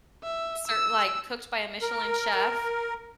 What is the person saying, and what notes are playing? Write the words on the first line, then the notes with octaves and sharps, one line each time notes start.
ser like cooked by a Michelin chef
E5
E6
A#4